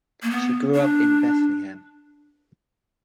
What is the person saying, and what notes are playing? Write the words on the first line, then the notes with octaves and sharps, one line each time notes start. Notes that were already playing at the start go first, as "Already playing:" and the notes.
She grew up in Bethlehem.
A#3
B3
D4